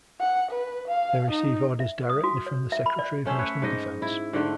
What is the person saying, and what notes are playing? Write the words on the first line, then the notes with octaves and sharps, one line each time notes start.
They receive orders directly from the Secretary of National Defense.
F#5
B4
F5
D#4
E5
D#6
F#4
C#5
E5
B5
D5
A3 C#4 C5 E5
B4 C#5
G#2 D#4 D#5
E4
G#2 D3 A3